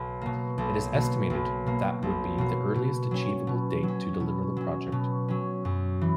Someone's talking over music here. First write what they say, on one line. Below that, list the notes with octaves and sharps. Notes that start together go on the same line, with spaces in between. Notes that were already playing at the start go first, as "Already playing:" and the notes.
It is estimated that would be the earliest achievable date to deliver the project.
Already playing: B1
B2 A#3
B1
B2 A#3
B1
B2 A#3
B1
B2 A#3
B2
F#3 C#4
B2
F#3
C#4
B2
F#3 C#4
B2
F#3 C#4
F#2
E3